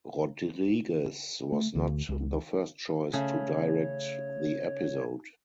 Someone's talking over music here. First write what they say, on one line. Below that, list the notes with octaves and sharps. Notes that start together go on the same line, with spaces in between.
Rodriguez was not the first choice to direct the episode.
A3
D2
C#2
C#3 A3 C#5